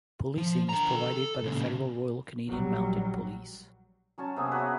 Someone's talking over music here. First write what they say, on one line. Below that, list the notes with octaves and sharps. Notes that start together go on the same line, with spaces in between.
Policing is provided by the federal Royal Canadian Mounted Police.
F3
D3 A#5
A4
A#2 C#3
A#1 F#3 G3
F#3 C#4 C#5 A5
C3 A#3 B3 G#4
F#4 B4 C#5 E5